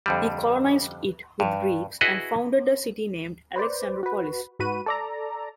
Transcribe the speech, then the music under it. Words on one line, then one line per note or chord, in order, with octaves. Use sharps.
He colonized it with Greeks, and founded a city named Alexandropolis.
F2 D3 G3
G2
E4 F#4 G#4 B4 D#5
B4 C5 D5
F#4 B4
G#2 F#4 B4 D#7
A4 D5 A#5